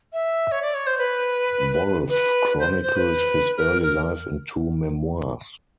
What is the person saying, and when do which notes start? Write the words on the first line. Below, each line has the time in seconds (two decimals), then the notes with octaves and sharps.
Wolff chronicled his early life in two memoirs.
0.13 E5
0.52 C#5
0.62 D5
0.74 C#5
0.87 C5
0.98 B4
2.09 B4
2.59 C5
2.83 C5
2.96 B4
3.57 A#4
3.82 A#4